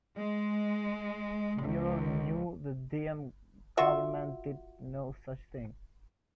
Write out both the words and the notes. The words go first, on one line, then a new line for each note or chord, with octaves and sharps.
Murrow knew the Diem government did no such thing.
G#3
C#2
F4 F#4 E5